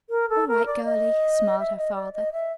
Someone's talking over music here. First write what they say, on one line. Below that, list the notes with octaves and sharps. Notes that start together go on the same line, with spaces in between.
"All right, girlie," smiled her father.
A#4
A4
A#4
D5
D#5
E5
D#5
D5
D#5
E5